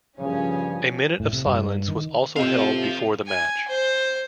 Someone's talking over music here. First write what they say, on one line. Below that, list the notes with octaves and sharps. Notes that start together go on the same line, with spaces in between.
A minute of silence was also held before the match.
G2 A#2 C#3 F3 C#4
A2
C3
G2
D#3
C3 A3 C4 C#4 F4 C5 D#5 F5
G#5
C5